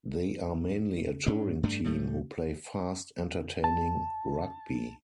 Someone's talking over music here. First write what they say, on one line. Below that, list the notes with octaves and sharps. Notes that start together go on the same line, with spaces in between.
They are mainly a touring team who play fast entertaining rugby.
G#2 C#4 D4
G2 A3 D4
A2 G3 A3
A5